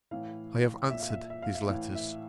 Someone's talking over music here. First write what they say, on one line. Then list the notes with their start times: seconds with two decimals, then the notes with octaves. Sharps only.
I have answered his letters.
0.11 A2 E3 F5
0.90 A#2 E5
1.00 F5
1.10 E5
1.30 E5
1.42 F5
1.55 E5
1.69 A2 E3 F5
1.95 E5